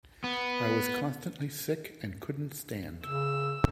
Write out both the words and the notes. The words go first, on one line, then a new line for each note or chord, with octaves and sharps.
I was constantly sick and couldn't stand.
B3
C#3 E6